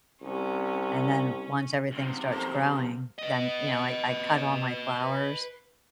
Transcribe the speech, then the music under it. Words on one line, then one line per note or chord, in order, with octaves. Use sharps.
and then once everything starts growing, then, you know, I I cut all my flowers
C2 C#4
F#2 C3
A4 A#4 C5
B4 D#5